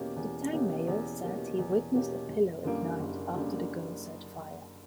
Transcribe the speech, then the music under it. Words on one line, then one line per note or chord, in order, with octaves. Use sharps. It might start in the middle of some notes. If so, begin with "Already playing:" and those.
The town mayor said he witnessed a pillow ignite after the girl said fire...
Already playing: E2 B2 A#3 C#4 G4
E2
B2 A#3 C#4 G4
E2
B2 A#3 C#4 G4
E2
B2 A#3 C#4 G4
F#1
F#2 D3 G3 A#3
F#1
F#2 D3 G3 A#3